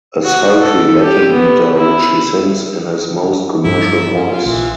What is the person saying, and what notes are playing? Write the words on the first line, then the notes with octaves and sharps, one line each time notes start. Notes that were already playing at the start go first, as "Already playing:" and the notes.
A sultry Latin beater which he sings in his most commercial voice.
F#4
A4
G4
B3
E4
G2 F3 D#4 E4
F4
A#1 E3